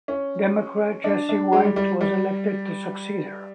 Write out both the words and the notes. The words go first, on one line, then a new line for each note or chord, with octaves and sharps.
Democrat Jesse White was elected to succeed her.
C#4
D4
D4
G#3
G3
G3
G3